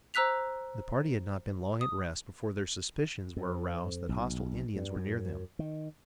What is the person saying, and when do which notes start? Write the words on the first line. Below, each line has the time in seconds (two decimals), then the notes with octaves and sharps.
The party had not been long at rest before their suspicions were aroused that hostile Indians were near them.
0.14 C5 A#5 E6 F#6 B6 F7
1.81 D#6
3.36 F2
4.09 B1
4.76 G2
4.96 F#2
5.59 D#3